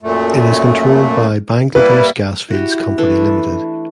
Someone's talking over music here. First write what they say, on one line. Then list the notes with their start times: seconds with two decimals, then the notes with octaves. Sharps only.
It is controlled by Bangladesh Gas Fields Company Limited.
0.01 F#2 A#2 A3
1.75 G3 A#3 E4 B4
2.50 E4 F#4 G4
2.98 E3 A3 D4